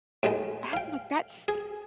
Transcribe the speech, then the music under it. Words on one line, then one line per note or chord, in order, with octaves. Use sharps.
I'm like "That's
D#2 A2 G#3 D#4
F5 G5
G#4